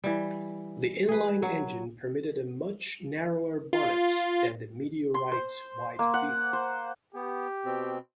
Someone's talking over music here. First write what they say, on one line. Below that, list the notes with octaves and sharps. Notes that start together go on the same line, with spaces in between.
The inline engine permitted a much narrower bonnet than the Meteorite's wide vee.
E3 G3
G#4 B4
F#3
F4
C6
C5
A#3
F#5
C5
B3 G4
B2 C4